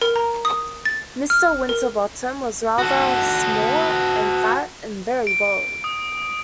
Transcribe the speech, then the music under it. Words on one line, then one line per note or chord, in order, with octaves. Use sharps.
Mr. Winterbottom was rather small and fat, and very bald.
A#4
A#5
D#6
A6
F6
A#4
F#4 A4
D7
D#6